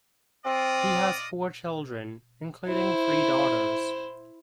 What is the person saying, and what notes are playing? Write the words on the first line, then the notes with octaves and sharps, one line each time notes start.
He has four children, including three daughters.
C4 F4 D5 D#5
E4 C5